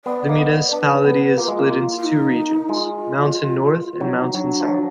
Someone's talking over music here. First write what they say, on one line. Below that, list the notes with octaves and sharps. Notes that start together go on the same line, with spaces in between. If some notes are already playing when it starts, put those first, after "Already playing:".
The municipality is split into two regions, Mountain North and Mountain South.
B3 D5
A#3 D#5
B3
D5
D4 B4
B3
A#3 F4
G#3
A#3
F4
D#4
G#3 F4
F#3 D#4
F#3 D4
F3
F#3